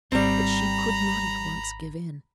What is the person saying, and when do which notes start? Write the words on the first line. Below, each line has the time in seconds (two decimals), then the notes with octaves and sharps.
But she could not at once give in.
0.12 G#1 G3 C4 A#5 B5